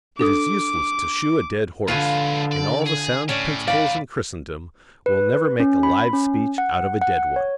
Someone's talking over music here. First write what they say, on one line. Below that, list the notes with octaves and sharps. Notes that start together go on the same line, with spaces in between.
It is useless to shoe a dead horse, and all the sound principles in Christendom will never make a live speech out of a dead one.
D4 A4 D6 D#6
D3 F3 G#3 F4 B4 G#5
D5
G#4
A2 C#4 D5
D#2 D5 F5 B5
B4
C#4
B5
C#4
F#5
F#5
C#5